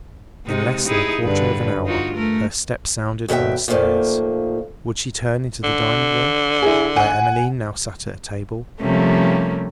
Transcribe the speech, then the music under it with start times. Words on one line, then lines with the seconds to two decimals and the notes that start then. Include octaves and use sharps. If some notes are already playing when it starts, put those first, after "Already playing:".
In less than a quarter of an hour her step sounded on the stairs--would she turn into the dining-room, where Emmeline now sat at table?
0.46 C3 G#3 D#4
0.86 D#4 E4 G#4
1.23 G2 D3 B4
1.85 D#4 F4 F#4
2.15 A3 A#4
3.28 D#2 B2 A4 E5 G5
3.68 A#2 D#3 F3 A3 A#3
5.64 D3
6.62 E4 G#4
6.96 F#5 G#5
8.81 C3 F3 G3 A3 A#3 C#4